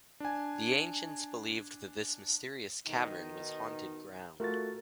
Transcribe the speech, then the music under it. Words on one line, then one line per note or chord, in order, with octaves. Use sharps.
The ancients believed that this mysterious cavern was haunted ground.
D4 G#5
B2 D#3 D#4
A3 F4 F#4 A#4 A6